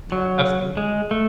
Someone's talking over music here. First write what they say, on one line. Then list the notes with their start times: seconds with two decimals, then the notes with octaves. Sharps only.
Yeah, absolutely, yeah.
0.12 F#3
0.77 G#3
1.11 A3